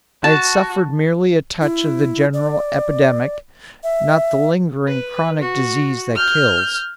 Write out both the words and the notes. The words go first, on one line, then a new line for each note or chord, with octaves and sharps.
I had suffered merely a touch of the general epidemic, not the lingering, chronic disease that kills.
F#4 A5
E4
D5
E5
B4
F#4
F6 G6